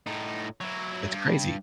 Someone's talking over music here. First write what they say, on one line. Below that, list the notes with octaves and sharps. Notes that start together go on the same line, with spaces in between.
it's crazy.
A2 D#4
F#3 E4
G2